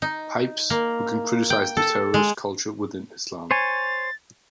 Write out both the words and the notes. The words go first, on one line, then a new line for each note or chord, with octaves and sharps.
Pipes, who can criticize the terrorist culture within Islam.
D#4
A#3
G5
A4
G#3
C5 C#5 G#5 A6